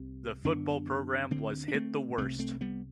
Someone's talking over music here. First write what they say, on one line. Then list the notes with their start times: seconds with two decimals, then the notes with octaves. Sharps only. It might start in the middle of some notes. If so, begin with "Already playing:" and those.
The football program was hit the worst.
Already playing: C2 C3 C4
0.45 F#2 D3 B3 D4
1.31 D2 D3 A3 C4
1.68 D4
1.74 A3 C4
2.18 C2 C3 A3 C4
2.39 A3 C4
2.61 G3 B3